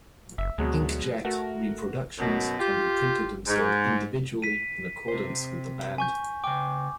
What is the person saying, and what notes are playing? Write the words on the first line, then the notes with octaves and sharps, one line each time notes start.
Inkjet reproductions can be printed and sold individually in accordance with demand.
F#1 E5
D2 B2 F#3 G#3
A3 F#4 A#4
F#2 B2
F4 G4
G#2
B6 D#7
C3 C5
G#5 C#6 G6
C#3 G5 D6